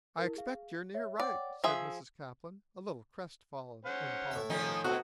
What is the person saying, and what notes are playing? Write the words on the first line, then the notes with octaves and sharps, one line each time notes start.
"I expect you're near right," said Mrs. Caplin, a little crestfallen and apologetic.
E4 A#4
G#4 F5
C#5 E5
C#5 D5 F#5 G5
F3 G#4 E5 D#6 E6
C#4 C5 F#5
A2 E5
D#3 F3 D#4 G#5
B2 C4 F#4 A4 A5